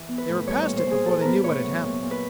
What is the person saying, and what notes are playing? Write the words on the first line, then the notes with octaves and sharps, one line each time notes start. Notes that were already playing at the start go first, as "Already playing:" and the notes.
They were past it before they knew what had happened.
Already playing: E3
B3
B4
A2
G3 C#5
A#2 C#5
C5
A#2 G#4
F3 A4
B3 A#4 B4
A2 C#5
F#3
A#2
A#2
B4